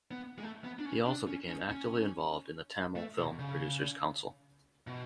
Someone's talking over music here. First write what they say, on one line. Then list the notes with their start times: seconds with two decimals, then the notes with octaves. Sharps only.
He also became actively involved in the Tamil Film Producers Council.
0.11 B3
0.38 G#3
0.43 A3
0.64 B3
0.79 D4
0.85 C#4
1.06 D4
1.27 C#4
1.49 C#4
1.69 C#4
2.96 A3
3.18 B2
3.39 C#3
4.87 B2